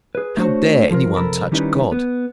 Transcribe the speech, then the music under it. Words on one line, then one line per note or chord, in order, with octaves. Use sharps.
How dare any one touch God?
G#4 B4
A3 D4 F#4 C5 C#5
F3 F4 A#4
F2 C3 A4 A#4 B5
D#3 G3 C#4 D#4 E4 B4
B3